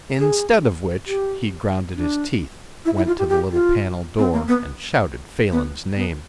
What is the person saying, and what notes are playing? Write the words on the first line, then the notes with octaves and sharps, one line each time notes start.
Instead of which--he ground his teeth, went to the little panel door and shouted Phelan's name.
G#4
G4
D4
E4
E4
F4
G4
G4
F4
C4
A#3
B3
B3
B3